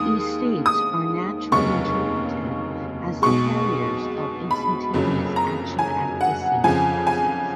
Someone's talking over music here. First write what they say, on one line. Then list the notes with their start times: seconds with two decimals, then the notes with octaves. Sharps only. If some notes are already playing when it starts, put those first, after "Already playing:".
These states are naturally interpreted as the carriers of instantaneous action-at-a-distance forces.
Already playing: D#2 D#3 G#3 D#6
0.66 D#6
1.52 F1 D#2 C#3 F#3 C#6
3.22 B1 B2 G#3 C#6
4.51 B5
4.94 F#1 F2 C#3 F#3
5.36 A#5
5.79 G#5
6.21 F#5
6.64 F2 C#3 F3 G#5
7.07 G#5